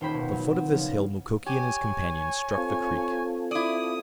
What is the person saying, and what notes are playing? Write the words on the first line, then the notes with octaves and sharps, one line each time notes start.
At the foot of this hill Mukoki and his companion struck the creek.
D#1 D#4 C5 G5 B5 G6
B2
F#3
C4
C#3 F3
G4 C#5 G#5
C4 F4 A4
E4 D5 D#6